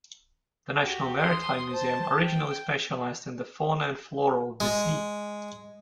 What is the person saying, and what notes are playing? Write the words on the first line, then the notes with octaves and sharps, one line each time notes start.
The National Maritime Museum originally specialised in the fauna and flora of the sea.
F#4 G4
C6 D#6
C5 A5
G5
G#3